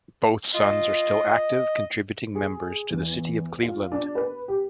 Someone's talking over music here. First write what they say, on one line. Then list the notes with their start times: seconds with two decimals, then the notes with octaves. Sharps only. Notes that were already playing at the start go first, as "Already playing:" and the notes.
Both sons are still active contributing members to the city of Cleveland.
0.54 F4 D#5
2.35 G#4
2.91 E2
3.63 F4
3.92 D4
4.15 B4
4.48 G4